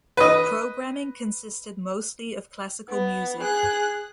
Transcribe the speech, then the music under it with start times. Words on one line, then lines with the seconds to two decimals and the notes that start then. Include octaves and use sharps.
Programming consisted mostly of classical music.
0.17 B4 D#5
2.89 B3
3.40 G#4 F#6